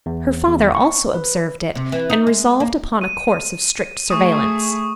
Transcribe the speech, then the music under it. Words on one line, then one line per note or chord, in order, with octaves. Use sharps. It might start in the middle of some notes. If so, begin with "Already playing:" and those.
Her father also observed it, and resolved upon a course of strict surveillance.
E2
E2
C#6
B4
C3
E3
D#4
G#3
A#3
D#7
A3 G#4 C#6 D#6